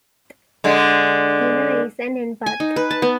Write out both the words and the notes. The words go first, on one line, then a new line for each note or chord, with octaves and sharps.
Tina is an empath.
D3 G#3
G#5
D#4
B4
A5
B3